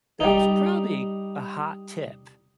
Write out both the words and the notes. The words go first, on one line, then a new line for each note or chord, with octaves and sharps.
that's probably a hot tip.
G3 D#4